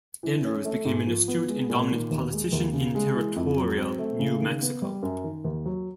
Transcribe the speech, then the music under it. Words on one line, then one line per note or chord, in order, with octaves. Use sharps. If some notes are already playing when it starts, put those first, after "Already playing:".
Andrews became an astute and dominant politician in territorial New Mexico.
E3
C#4
A3
G#2
F3
B3
G#3
A#2
D#3
D#2
G#3
D#2
C#3
G#3
E3
F2
F#3
C4
A3
C#3
D#3
B3
G3
F#2
D#3
D#2
F#3